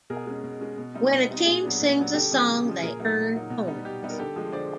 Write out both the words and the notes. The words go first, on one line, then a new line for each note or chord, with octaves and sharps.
When a team sings a song they earn points.
B2 G#4 A#4
G#3 C#4
B2
G#3 C#4
B2
G3 C4 D#4
B2
G3 C4 D#4
A#2 G#4
F#3 B3 D4
A#2
F#3 B3 D4
C#3 G4 A4
F3 G#3 C#4
C#3
F3 G#3 C#4
A#2 G#4 A#4
F#3 A#3 D#4
A#2
F#3 A#3 D#4
B2
G3 B3 D#4
B2 G4
G3 B3 D#4
A#4
D3 G4 A4
F3 G#3
D3 C5 D5